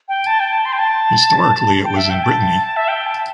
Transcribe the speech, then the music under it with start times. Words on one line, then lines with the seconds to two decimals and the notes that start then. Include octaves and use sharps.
Historically it was in Brittany.
0.08 G5
0.27 A5
0.40 G5
0.53 A5
0.65 C6
0.73 G5
0.79 A5
1.84 G5
1.97 E5
2.10 G5
2.24 A5
2.76 E5
2.88 G5
3.06 A5